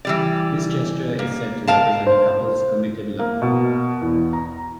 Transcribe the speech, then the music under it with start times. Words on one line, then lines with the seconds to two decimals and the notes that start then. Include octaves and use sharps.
This gesture is said to represent a couple's committed love.
0.05 E3 G3 D5
1.19 A#3
1.68 A#4 F5 A5
2.07 C5
3.19 A#3
3.42 B2
4.01 E2
4.33 A#5